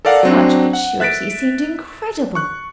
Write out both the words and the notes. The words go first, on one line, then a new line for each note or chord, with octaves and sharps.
Such fatuity seemed incredible.
A4 A#4 D5 F5 F#5
F#3 C4 D4
F#5
E5 F#6 A6 B6 D7
C#6 F#6